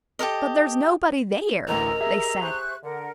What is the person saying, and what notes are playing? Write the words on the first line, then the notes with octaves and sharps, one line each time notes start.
"But there's nobody there," they said.
G4 A4 A#4 D#5
A1 D2 E3 A#4 D#5 A#5 E6
G4 G#4 E5
C5 C#6 F#6
D3 A#4 F#5